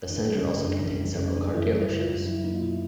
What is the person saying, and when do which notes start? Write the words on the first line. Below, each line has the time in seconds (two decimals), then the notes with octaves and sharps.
The centre also contains several car dealerships.
0.10 E3 D4
0.29 G3
0.38 C#4
0.46 C#3
0.64 F#2 D4
0.82 E3
1.00 G3
1.18 C#3 C#4
1.37 F#2 D4
1.54 E3 E4
1.73 G3 E4
1.90 C#3
2.00 F4
2.08 F#2
2.26 F#3 E4
2.44 A#3 D#4
2.55 F4
2.62 B2 E4